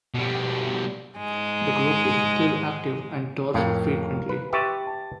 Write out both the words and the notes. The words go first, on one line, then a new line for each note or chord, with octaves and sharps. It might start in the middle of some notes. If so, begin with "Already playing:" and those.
The group is still active and tours frequently.
B2 G3
G#2 G#3
F2 A2 A#4 F5
B4
G4 B4 E5 C6 C#6 A6
A5